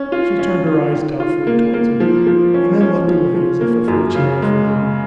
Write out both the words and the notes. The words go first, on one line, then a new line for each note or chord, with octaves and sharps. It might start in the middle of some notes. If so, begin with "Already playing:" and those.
She turned her eyes doubtfully towards him, and then looked away as if afraid she might forgive him.
Already playing: C#4
F4
C#4
F4
D#3
F4
A#3
A#3
F3
F3
C#4
C#4
F3
F3
A#3
F#2
C#3
G#3